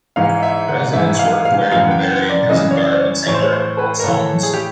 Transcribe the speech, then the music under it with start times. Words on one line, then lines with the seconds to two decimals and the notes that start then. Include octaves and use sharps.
Residents worked wearing Bavarian peasant garb and sang German folk songs.
0.16 G#2 E3 F5
0.43 E5
0.68 F#5
0.93 G#2 E3 E5
1.19 F5
1.45 F5
1.71 F#2 C#3 E3 F5
1.84 F#5
1.91 G5
2.11 F#5
2.29 D5
2.49 F#2 C#3 E3 D#5
2.71 C#5
2.75 D5
2.92 D5
3.01 C#5
3.26 A2 E3 C#5
3.34 C5
3.42 C#5
3.52 C5
3.78 B4
4.00 A#4
4.04 A2 E3 A4
4.43 G#4
4.53 G4